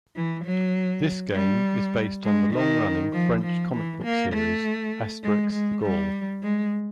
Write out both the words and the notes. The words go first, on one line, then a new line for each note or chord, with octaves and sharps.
This game is based on the long-running, French comic book series "Asterix the Gaul".
E3
F#3
G3
G#3
D#3
F3
F3
E3
A#3
A3
G#3
G#3
G3
G#3